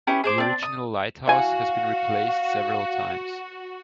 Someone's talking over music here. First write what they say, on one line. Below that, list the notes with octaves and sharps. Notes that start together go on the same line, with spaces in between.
The original lighthouse has been replaced several times.
C#4 E4 G4 B4
G#4 C5 D6
C4 D4
D#6
E3 F#4 F5 G#5